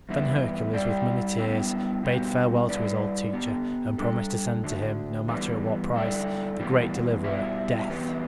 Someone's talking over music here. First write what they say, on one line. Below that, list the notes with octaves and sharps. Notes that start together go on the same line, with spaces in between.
Then Hercules with many tears bade farewell to his old teacher and promised to send to him, no matter at what price, the great deliverer, Death.
G2 E3 B3 E4
G3 E4 G4 D5
G3 B3 E4
B2 G3 B3 G4
G3 E4 B4 D5
D3 B3 G4
G3 D4 A4
D3 A3 D4
E3 G3 B3
D3 G3 E4 A4 D5
A2 E3 G3 B3
B2 G3 E4
G2 E3 B3 G4 B4